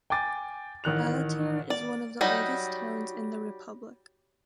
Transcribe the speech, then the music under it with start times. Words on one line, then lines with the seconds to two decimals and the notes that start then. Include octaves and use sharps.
Alatyr is one of the oldest towns in the republic.
0.10 G5 G#5 D6 A6
0.84 A1 D#3 F#6 F7
1.70 D5
2.21 F#3 G3 D#4